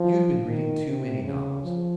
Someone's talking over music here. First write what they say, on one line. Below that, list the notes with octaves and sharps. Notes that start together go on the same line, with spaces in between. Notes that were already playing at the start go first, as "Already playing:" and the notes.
You've been readin' too many novels.
Already playing: F3
D#3
C3
C#3
F3